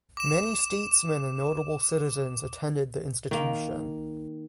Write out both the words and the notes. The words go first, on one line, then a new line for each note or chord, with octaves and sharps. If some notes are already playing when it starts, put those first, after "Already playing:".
Many statesmen and notable citizens attended the institution.
D6 E7
D#3 A#3